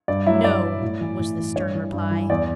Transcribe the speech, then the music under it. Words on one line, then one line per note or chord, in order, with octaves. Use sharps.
"No," was the stern reply.
G2 D5
F#3 E4 E5
G2 D5
F#3
A2
E3
A2
E3
G2 C#5
E3
G2
E3
E2 D5